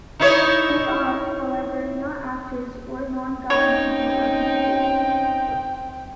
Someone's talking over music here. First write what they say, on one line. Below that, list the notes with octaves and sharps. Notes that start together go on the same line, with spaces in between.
They are, however, not actors or non-governmental organizations.
D#4 E4 C#5
C4 C#4 D#4 C#5 G5